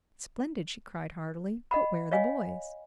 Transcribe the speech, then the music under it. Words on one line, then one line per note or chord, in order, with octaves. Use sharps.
"Splendid," she cried heartily; "but where are the boys?"
D#5 F#5 B5
C#5 D#5 F5 G#5